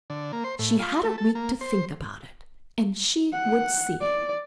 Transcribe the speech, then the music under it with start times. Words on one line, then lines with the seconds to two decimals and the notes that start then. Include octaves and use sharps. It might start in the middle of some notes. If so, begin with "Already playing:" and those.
She had a week to think about it, and she would see!
0.10 D3
0.33 A#3
0.44 C5
0.59 A2
0.79 F4
1.04 A3
1.18 A4
1.35 A#3
1.61 C5
3.32 F#5
4.01 D5